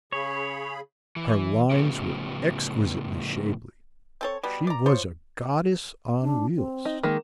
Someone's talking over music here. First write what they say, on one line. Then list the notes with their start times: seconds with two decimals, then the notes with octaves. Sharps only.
Her lines were exquisitely shapely; she was a goddess on wheels.
0.12 C#3 G#4 C#5 B5
1.16 E3
1.71 A2 C#3 F3 B3 C#4 G4
4.21 C4 A4 C#5
4.43 B2 G3
4.67 D5 A#5
4.86 F3 C5 C#5
6.22 D4
6.56 C4
6.85 D#4
7.03 D#3 G#3 A#3